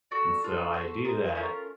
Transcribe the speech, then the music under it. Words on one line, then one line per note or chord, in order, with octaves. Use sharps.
and so, I do that.
F#4 A4 D5
D4 F4 A4
F#4 A4 C5
F4 A#4 D#5
A3 C#4 F4 A#4